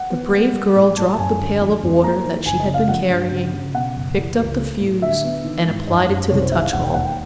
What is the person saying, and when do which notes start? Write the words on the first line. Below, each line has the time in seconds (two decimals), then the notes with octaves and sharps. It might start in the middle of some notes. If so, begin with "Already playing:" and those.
The brave girl dropped the pail of water that she had been carrying, picked up the fuse and applied it to the touch hole.
Already playing: F#5
0.10 B3
0.33 G3
0.53 G3
0.75 A2
0.97 A2 A5
1.13 A5
1.18 F#2 G#5
1.39 D3
1.61 F3
1.82 F2
2.03 A#3 A#5
2.25 D#3
2.45 F#1 G#5
2.60 D#5
2.67 C#3
2.74 F5
2.89 F3 F#5
3.10 G2
3.31 C#3
3.52 C#3
3.74 B2 F#5
3.96 F#1
4.17 E3
4.38 C#2
4.60 A3
4.81 A2
5.02 D3 E5
5.24 B3
5.44 D#3
5.66 G#2
5.87 F#2 D#5
6.09 F#2
6.30 C2 C#5
6.41 C5
6.51 D#3 E5
6.62 F5
6.73 E1 F#5
6.84 G5
6.94 D#2 F#5
7.05 G5